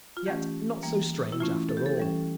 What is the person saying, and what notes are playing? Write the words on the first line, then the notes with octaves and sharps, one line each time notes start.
Yet not so strange after all.
F4
E3 A3 C#4 G4
E3 G3 A#3
E4
E3 A3 C#4 F4
A4
G4
A4
E3 G3 C#4